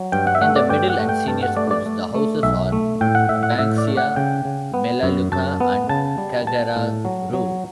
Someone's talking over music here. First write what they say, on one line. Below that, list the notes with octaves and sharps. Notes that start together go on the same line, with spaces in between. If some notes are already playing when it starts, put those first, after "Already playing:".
In the Middle and Senior schools, the houses are Banksia, Melaleuca and Karragaroo.
Already playing: F#3
G2 G5
F#5
E5
A3 F#5
D5
G2 G5
F#5
A3
G5
G2 A5
F#5
A3 D5
D5
A3
A3
B1 E5
A3
A2 G5
F#5
A2 E5
F#5
A2 E5
D5
A3
F#5
C#3 G5
C#3
B3
F#2
F#2 A5
B3
C#3 A5
G3
B3 A5
A2
F#3
F#3